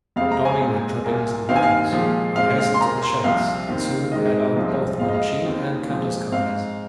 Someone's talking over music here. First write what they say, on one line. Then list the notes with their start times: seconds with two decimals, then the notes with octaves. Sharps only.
Donning my trappings and weapons I hastened to the sheds, and soon had out both my machine and Kantos Kan's.
0.16 F2 C3 G#3 C4 F5
0.32 A#5
0.45 G#5
0.60 A#2 G#3 C4
1.04 C2 A#2 A#3
1.49 D#2 D#3 C4 F5
1.56 G#5
1.63 F5
1.92 A#2 F3 G#3
2.36 A#2 G#3 C4 F5
2.58 F5
2.74 C6
2.80 A#2 A#3 A#5
3.02 C6
3.24 C2 C3 F3 C4 F5
3.68 D#2 D#3 C4
4.12 G#2 D#3 G#3 D#5
4.56 C2 C3 F3 G#3 C4
5.00 F2 F3 G#3 C4 F5
5.08 D#5
5.14 F5
5.45 D#2 D#3 C4
5.88 A#2 F3 G#3 C4
6.32 G#2 G#3 C4 F5